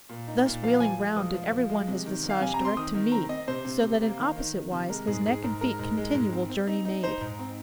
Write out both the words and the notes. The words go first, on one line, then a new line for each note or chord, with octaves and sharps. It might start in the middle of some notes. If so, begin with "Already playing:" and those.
Thus, wheeling round, did every one his visage Direct to me, so that in opposite wise His neck and feet continual journey made.
A#2
D#4
A#2
F3 F5
F3 G#5
G#3
F3 D#6
F3
F3
G#3
C3
D#3
F2
F5
C3 G#5
A#5
C4
C6
D#3 D#6
D#3
C4 A#5
C4 D#5
C3 C5
C3
C3
A#3
D#3
D#3
D#3
C3
G#3 A#4
G#2 G#4
G#2 G#4
G#2 A#4
G#3 A#4
G#2
G#3
G#2
C4
C4
D#4
D#4
D#4 C5
G#2
C4